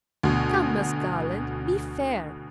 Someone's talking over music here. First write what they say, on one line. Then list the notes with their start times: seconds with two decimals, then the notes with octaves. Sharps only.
Come, Miss Garland, be fair.
0.23 D2 B2